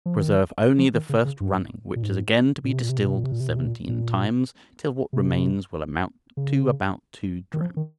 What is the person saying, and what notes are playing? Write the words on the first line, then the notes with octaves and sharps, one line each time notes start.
You preserve only the first running, which is again to be distilled seventeen times, till what remains will amount to about two drams.
F3
D#3
F3
D#3
C#3
C#3
G2
A#2
G#2
A#2
C3
A#2
C3
A#2
C3
A#2
C3
A#2
C3
A#2
C3
A#2
A#2
C3
C#3
D#3
F3
D#3